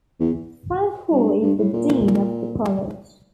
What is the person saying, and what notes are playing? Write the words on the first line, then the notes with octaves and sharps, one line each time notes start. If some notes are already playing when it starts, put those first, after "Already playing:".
Frank Hall is the dean of the college.
E2
G2
G2
A2
A#2